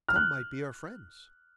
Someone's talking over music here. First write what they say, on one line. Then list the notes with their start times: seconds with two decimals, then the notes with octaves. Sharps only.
Some might be our friends.
0.08 F6
0.16 F#6